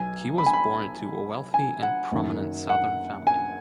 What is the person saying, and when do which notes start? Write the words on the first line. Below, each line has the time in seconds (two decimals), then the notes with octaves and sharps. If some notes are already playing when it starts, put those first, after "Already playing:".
He was born to a wealthy and prominent Southern family.
Already playing: B1 B2 G#5
0.38 B5
0.46 G#5
0.53 B5
1.54 G#5
1.82 F#5
2.12 F#1 F#2 D#3
2.70 F#5
3.27 G#5